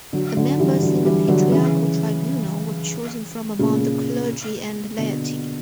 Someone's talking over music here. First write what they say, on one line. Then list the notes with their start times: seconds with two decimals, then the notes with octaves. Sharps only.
The members in the patriarchal tribunal were chosen from among the clergy and laity.
0.13 D3 F#3
0.37 D3 F#3
0.59 E3 G3
0.83 D3 F#3
1.05 E3 G3
1.28 D3 F#3
1.52 C#3 E3
3.59 A#2 C#3
4.98 B2 D3